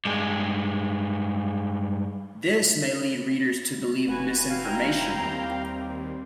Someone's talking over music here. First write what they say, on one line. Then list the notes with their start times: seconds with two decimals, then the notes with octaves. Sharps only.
This may lead readers to believe misinformation.
0.05 G2 G#3
4.08 F1 F#4 B4 G#5
4.50 E4 F5 G5 A#5
5.20 D#2 G3 C4